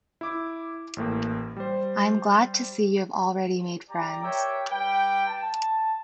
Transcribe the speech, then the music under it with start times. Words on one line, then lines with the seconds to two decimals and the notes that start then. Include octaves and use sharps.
I am glad to see you have already made friends.
0.21 E4 D6
0.96 A1 A2 A#3
1.57 G3 C5
3.90 G4 D5 A#5
4.22 G4 A#4 C#5 D5 E5 G5
4.71 G3 G4 B4 G5
5.28 A5